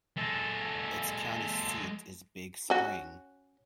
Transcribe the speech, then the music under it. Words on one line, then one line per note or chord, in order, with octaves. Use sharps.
Its county seat is Big Spring.
G#3 A4
C#4 F#4